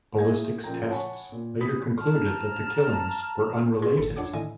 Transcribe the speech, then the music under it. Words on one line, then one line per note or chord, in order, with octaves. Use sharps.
Ballistics tests later concluded that the killings were unrelated.
A#3 D#4 G#6
A#3 E4 G#4 B4
A#2 C#3 F3 A#3 G5 A#5
C#5 F#5 G#5 A5 B5 C#6
A#2
B5 D#6 B6
A5 A#5 F6
G#4 A#4 C6 C#6
G#1 A#2 A4 B5 C#7
F2 D4 C#5 F#5 D6 G#6
A2 D3 D#3 E4 D#5 G#5